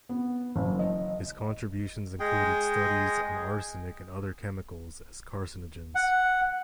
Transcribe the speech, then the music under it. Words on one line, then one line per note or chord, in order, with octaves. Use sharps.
His contributions included studies on arsenic and other chemicals as carcinogens.
B3
F#1
D#5
G#3 G#4 G5
F#5